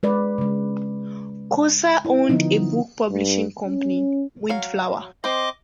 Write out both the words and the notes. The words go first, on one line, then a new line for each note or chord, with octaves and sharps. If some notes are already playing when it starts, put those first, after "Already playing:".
Kooser owned a book publishing company, Windflower.
G#3 B4 D5
C#3 G#3
E4
D3 F3 B3 D#4
G2
C#4
F#3 F5
C4 C5 D#5 D6